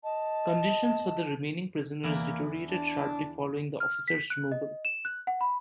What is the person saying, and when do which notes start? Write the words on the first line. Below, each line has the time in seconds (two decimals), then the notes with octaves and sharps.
Conditions for the remaining prisoners deteriorated sharply following the officers' removal.
0.04 D#5 A5
2.03 E2 A#3 E4 D5
2.64 D4
3.80 F6
4.08 B6
4.30 F#6
4.52 D#5
4.85 E7
5.05 F#6
5.27 F#5
5.41 B5